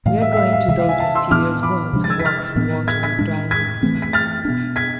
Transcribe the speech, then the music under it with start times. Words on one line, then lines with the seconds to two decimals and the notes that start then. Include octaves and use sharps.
We are going to those mysterious ones who walk through water with dry moccasins.
0.06 A2 E3 A3 F5
0.21 E5
0.32 E5
0.36 F5
0.53 F5
0.68 C3 E3 G#3 E5
0.79 F5
0.88 E5 G#5
0.99 F5 A5
1.15 C6 E6
1.31 A2 E3 B3 D4 D6 F6
1.63 B5 D6
1.93 C3 F3 G#3 D4
2.04 A6
2.10 E6 G#6
2.19 B6
2.25 F6 A6
2.56 A2 E3 B3 D4
2.88 G#6 B6
3.03 G#6 B6
3.19 A2 G#3 D4
3.51 G#6 B6
3.83 E3 A3 C4
4.02 B6
4.13 F6 A6
4.45 B2 B3 D4
4.76 G#6 B6